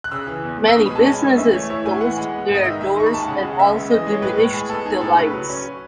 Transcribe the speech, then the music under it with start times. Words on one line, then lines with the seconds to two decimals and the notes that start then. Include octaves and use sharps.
Many businesses closed their doors and also diminished the lights.
0.04 F#6
0.12 C#3 E6
0.27 E3
0.44 E2
0.59 E2
0.68 E6
0.75 B2 D#6
0.86 B5
0.91 G#3 A5
1.06 C#4 G#5
1.23 C#2
1.38 E3 E5
1.53 A3 C#5
1.70 E4 C#5
1.85 A2 G#5
2.01 E3 F#5
2.17 G#3
2.33 B3
2.49 G#2
2.55 D#5
2.65 D#3 E5
2.81 G#3 E5
2.96 D#4 C#6
3.06 B5
3.11 D#2 A5
3.20 G#5
3.27 C#3 F#5
3.43 G#3
3.59 C#2 E5
3.75 C#2
3.91 E3 D#5
4.07 G#3
4.12 C#5
4.22 A2 B4
4.38 A2
4.54 G#3 G#4
4.69 B3 A4
4.85 D#4 G#4
5.01 A2 A4
5.17 C#3 B4
5.33 F#3
5.49 C#4